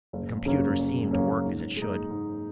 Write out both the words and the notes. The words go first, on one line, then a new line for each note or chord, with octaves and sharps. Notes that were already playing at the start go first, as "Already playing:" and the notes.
The computer seemed to work as it should.
F#1
F#2 C#3 A#3 C#4
F#1
F#2 C#3 A#3 C#4
G#2
G#3
D#4
G#2